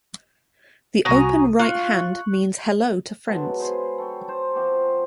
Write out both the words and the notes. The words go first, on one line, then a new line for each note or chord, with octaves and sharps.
The open right hand means Hello to friends!
C2 F#4 G#5 A#5 D#6
F4 C#6 F#6
B2 F#3 G#3 A5
G#4 B4 C5
A4 C#5 G5
A4 C5
F3 C4 F#4 D6